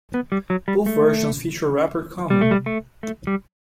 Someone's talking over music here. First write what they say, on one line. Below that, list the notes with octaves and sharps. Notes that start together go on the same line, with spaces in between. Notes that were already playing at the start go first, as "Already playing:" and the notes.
Both versions feature rapper Common.
B3
G3
F#3
G3
A3
G3
A3
G3
A3
A3
G3